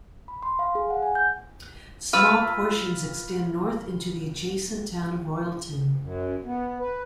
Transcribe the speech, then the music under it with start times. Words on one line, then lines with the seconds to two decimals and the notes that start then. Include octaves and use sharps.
Small portions extend north into the adjacent Town of Royalton.
0.28 B5
0.43 C6
0.59 F5
0.75 G#4
0.90 F#5
1.02 G#5
1.15 G6
2.13 F4 B4 E6
6.00 F#2
6.45 B3
6.79 B4